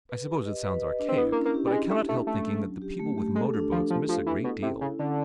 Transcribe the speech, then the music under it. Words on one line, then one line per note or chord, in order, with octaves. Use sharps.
I suppose it sounds archaic, but I cannot help thinking that the people with motor boats miss a great deal.
B4
G4
D#5
B4
D#5
D4
C4
B3 E4
A#3
C#4
A#3
G4
G3
G#3 E4
A3 C#4
A3 C#4
A3 D4
F#3
F#3
G4
A3
G4
G#3 A4
D4
F3 D4
F3 D4
F3 D4
E3 A4
B2 E4
C3 C#4
C#3 E4
D3 C#4